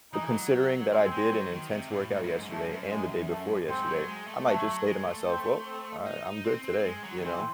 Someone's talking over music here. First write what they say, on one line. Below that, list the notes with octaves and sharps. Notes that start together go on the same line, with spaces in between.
But considering that I did an intense workout yesterday and the day before yesterday, I might just say to myself, "Well, I I'm good today, you know,
E3 D#4
F#3
G#3 C4
G#3
F#3
D#3
C3
A2
G#2
F#2
G#2
F#2 A3
F#2
G#3
A3
G#2 C4
F#3
G#3
A3
F#3 A3
F#3
G#3
A3
C4
C4
D#4
D#4
C4
C4
G#3
F#3
D#3
E3 C4